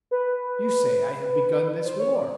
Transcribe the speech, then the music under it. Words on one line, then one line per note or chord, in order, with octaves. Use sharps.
You say I have begun this war!
B4
C5
C#5
D5